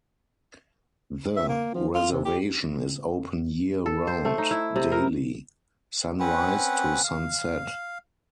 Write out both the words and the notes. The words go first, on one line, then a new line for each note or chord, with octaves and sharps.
The reservation is open year-round, daily, sunrise to sunset.
E5
A#3
F3
F4
C3
G4
A4
C5
A3
D#4
E4
C3
A#4
C4 C#4 B4 F#5
F5